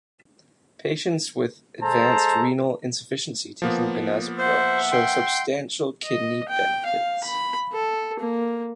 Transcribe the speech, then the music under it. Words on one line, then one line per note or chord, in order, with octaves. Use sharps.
Patients with advanced renal insufficiency taking benazepril show "substantial" kidney benefits.
G#3 A4 C5 A5 A#5
F3 A#3 B3
C5 E5 F#5
G5 C6
D#5
G5
F5
B5
A4
A#3